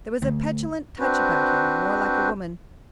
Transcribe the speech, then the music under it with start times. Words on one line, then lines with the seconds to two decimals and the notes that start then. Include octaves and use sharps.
There was a petulant touch about him--more like a woman.
0.22 D2
0.99 C4 D4 F#4 B4 C5